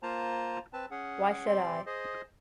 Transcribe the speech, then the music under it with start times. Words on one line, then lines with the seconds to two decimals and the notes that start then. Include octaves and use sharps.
Why should I?
0.03 A#3 F4 C5 A5 A#5
0.73 C4 B4 A5
0.91 C#4 G#4 F#5
1.46 C4 G4 D5 C6
1.86 G#4 C5 D#5